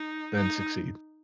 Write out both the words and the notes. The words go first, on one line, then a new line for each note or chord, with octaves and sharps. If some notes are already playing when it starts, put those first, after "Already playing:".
then succeed.
Already playing: D#4
D#4